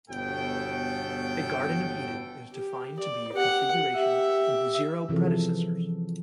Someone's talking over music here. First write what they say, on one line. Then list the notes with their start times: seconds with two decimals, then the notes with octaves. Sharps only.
A Garden of Eden is defined to be a configuration with zero predecessors.
0.10 G1 B2 C#4 A4 G5
2.53 G4
2.99 D5
3.33 G4 F#5
3.95 G4 E5
5.09 C3 E3 F3 G#4 A4